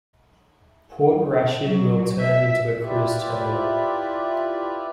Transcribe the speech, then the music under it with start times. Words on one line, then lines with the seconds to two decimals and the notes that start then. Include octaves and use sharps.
Port Rashid will turn into a cruise terminal.
1.64 F#3
2.21 E5
2.80 E4 F4 G4 B4 D5 E5